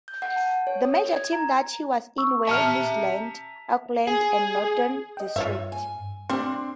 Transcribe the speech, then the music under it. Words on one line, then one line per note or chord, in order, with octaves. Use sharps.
The major teams that he was in were New Zealand, Auckland and Northern Districts.
G6
F#5
A5
C#5
D#6
G#6
A#5
C#6 E6
E5 A5 A#5 F6
G#4
D#5 G5
G2 F4 C#5 E5
G#5
G3 C4 D4 C6